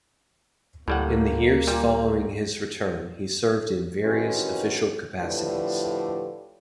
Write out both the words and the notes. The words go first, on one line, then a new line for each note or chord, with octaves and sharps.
In the years following his return he served in various official capacities.
D2 A2 G3 A#3 F#5
A#2 G3
C3 D#3 E3 G#3 C#4 F#4
A2 D3 F3 G4 B4 D5